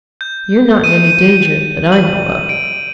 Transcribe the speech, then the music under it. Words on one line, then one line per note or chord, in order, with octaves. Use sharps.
"You're not in any danger that I know of."
G6
D#7
F#7
D7